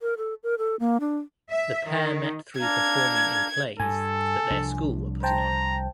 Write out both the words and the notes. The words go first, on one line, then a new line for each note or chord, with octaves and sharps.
The pair met through performing in plays that their school were putting on.
A#4
A4
A#4
A4
A#3
D4
E5
D#3
D4 F5 A#5 G#6
G2 A4 G#5
C2 F3 D4
C5 G5 A5 A#5